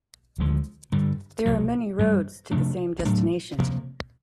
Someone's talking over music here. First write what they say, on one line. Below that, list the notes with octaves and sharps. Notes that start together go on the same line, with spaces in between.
There are many roads to the same destination.
D2 D3 F3 G#3
G2 D3 G3
C2 B2 F#3
G2 E3 G3
C3 F3 A3 D4
A2 F#3 A3 D4
C3 F3 A#3